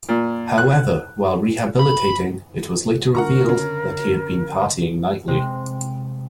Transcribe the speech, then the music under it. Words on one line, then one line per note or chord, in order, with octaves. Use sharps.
However, while rehabilitating, it was later revealed that he had been partying nightly.
A#2
F#6
B5
D3 D4 A#4 F#5 A#5 C#6
C#3
C3 G#3 C4